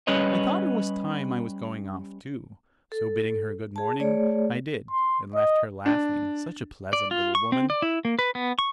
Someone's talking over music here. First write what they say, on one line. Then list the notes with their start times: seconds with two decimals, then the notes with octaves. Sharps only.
I thought it was time I was going off too; so bidding her good morning, I did, and left her laughing--such a pleasant little woman!
0.07 G3 C#4 B4 C#5 D#5
2.92 A4
3.76 G#4 A5
4.00 A3 G#4 C#5 D5
4.91 C6
5.35 D#5
5.86 D4
6.93 D5
7.11 F4
7.35 C#6
7.52 C4
7.70 D5
7.82 E4
8.05 A#3
8.19 B4
8.35 B3
8.59 C#6